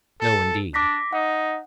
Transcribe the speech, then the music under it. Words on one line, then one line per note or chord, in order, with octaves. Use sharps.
No, indeed.
A4
D4 D6 A#6 B6
D#4 F#5